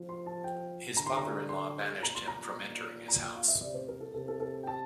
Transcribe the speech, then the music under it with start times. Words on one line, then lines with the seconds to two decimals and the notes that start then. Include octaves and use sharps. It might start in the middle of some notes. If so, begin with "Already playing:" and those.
His father-in-law banished him from entering his house.
Already playing: F3
0.09 C6
0.26 A5
0.44 G5
0.96 D3 A#5
1.06 C6
1.17 A#5
1.49 C6
2.03 A#2 A#5
2.15 C6
2.27 A#5
2.56 A#2
3.08 A#5
3.22 G5
3.35 F5
3.48 E5
3.61 C3 D5
3.74 C5
3.88 A#4
4.00 A4
4.14 C3 A4
4.28 A4
4.40 A4
4.63 G5
4.67 A5